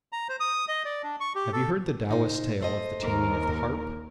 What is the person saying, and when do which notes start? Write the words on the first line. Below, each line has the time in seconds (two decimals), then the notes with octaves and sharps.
Have you heard the Taoist tale of the Taming of the Harp?
0.12 A#5
0.29 C5
0.40 D#6
0.68 D#5
0.85 D5
1.03 D4
1.20 C#6
1.35 G4
1.53 A4
2.09 C#3 D#4 C5
2.61 A3 C5 D#5
3.01 D#2 A#4